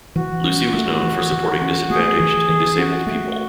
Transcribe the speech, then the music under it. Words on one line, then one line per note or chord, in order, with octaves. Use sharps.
Lucy was known for supporting disadvantaged and disabled people.
E3 F#4
C#4
A3
E3
E3
C#4
A3 G#4
E3
E3
C#4 F#4
A3